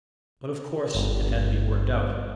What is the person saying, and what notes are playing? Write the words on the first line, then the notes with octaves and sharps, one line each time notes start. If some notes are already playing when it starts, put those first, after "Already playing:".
But of course it had to be worked out.
G1